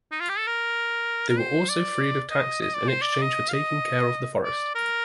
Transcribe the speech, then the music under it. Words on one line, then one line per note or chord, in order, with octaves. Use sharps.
They were also freed of taxes in exchange for taking care of the forest.
D#4
F4
G4
A4
A#4
A#4
C5
D5
D#5
D#5
D5
C5
D5
D#5
F5
D#5
D5
A#4